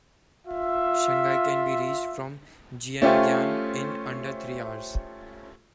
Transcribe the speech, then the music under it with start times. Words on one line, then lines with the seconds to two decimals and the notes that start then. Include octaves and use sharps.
Shanghai can be reached from Jiangyan in under three hours.
0.47 F4 E5
3.02 A3 C#4 F4 G4 C5